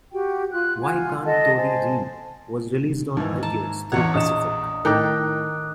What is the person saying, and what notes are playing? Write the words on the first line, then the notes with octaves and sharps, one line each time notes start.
"Y Kant Tori Read" was released on iTunes through Pacific.
F#4 G4 G5
F4 F#6
F4 F#5 G#5
A4 D#5 F#5 A5
C5 G#5 A5
D#2 G#2 E3
A5 A#5
A1 E2 C#5 F#5
A#1 D#5 D#6 E7
A2 D#3 A4 G5 A#5 D6 F#6